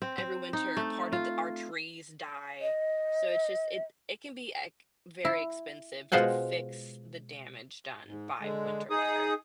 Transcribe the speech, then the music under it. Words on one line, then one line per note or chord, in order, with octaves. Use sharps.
Every winter, part of the our trees die. So it's just it it can be ex very expensive to fix the damage done by winter weather.
C4
C4
D#4
A3
F4
D#5
E4
B2 G#3 F4 C5 F#5 G#5
G#2
D3 G#3
D#4 G#4 D#6